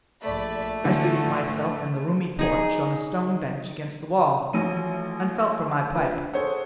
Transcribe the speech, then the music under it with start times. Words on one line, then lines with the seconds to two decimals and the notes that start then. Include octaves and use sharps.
I seated myself in the roomy porch on a stone bench against the wall, and felt for my pipe.
0.22 A#1 A3 D5 B5
0.84 D2 A2 D3 E3
2.39 D#4 G#4
4.53 A1 F3 F#3 D#7
5.94 D4 F4 B4
6.33 G#4 A4 C5 C#5 F#5